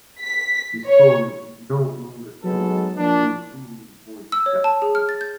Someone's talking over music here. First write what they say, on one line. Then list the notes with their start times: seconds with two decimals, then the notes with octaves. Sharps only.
The story is no longer told through fully voiced cutscenes.
0.22 B6
0.88 C#5
2.44 F#3 G#3 B3 D#4 A4
2.98 F3 A#3 D4
4.32 E6
4.46 C#5
4.64 A5
4.82 G#4
4.95 F6
5.09 A6
5.21 G6